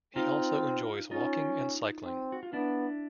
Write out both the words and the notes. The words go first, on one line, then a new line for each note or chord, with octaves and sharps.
He also enjoys walking and cycling.
C4 D#4 F4
C#4 D#4 F4
C4
F#4
F4
B3 D4 E4